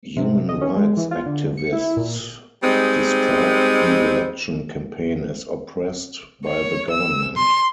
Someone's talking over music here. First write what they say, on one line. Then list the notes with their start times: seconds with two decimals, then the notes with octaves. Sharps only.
Human rights activists described the election campaign as oppressed by the government.
0.17 C3
0.49 D#5
0.61 C#4
0.76 G#3
0.97 E3
1.11 F4
1.26 D3
1.57 C#7
1.73 E4
1.97 A#2
2.63 G3 G#3 C4 D#4
6.45 C#5
6.91 E6
7.38 C6